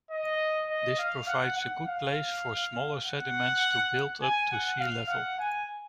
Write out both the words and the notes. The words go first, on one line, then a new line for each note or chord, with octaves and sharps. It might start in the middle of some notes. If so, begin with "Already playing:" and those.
This provides a good place for smaller sediments to build up to sea level.
D#5
D#5
F5
F#5
F#5
F5
F#5
G#5
F#5
F5
F#5
G#5